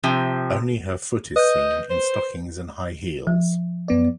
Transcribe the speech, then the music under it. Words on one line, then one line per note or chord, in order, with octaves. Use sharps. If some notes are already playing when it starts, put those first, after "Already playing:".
Only her foot is seen, in stockings and high heels.
C3 F3
B4 D#5 G6
C5
F3
F#2 B3 D5